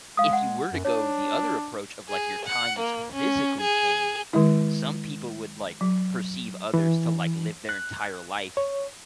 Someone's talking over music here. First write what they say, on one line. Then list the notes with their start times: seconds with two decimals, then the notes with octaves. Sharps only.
if you were to go the other approach of, like, your time is physically changed, some people would, like, perceive others to, like, live their entire life.
0.17 G#3 F5 D#6
0.33 F#5
0.72 F#2
0.85 D4 C#5
2.08 G#4
2.45 F#5
2.79 A#3
3.12 C#4
3.61 G#4
4.33 D#3 G#3 E4
5.81 F#3
6.74 E3
7.69 F#6
8.57 C#5